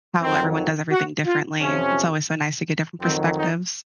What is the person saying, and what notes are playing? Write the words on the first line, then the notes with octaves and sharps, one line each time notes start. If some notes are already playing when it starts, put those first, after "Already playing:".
how everyone does everything differently. It's always so nice to get different perspectives.
F2 D#3 F#3 C4
F#4
F4
F2 C3 F3 C#4
F2 D#3 F#3 C4
D#4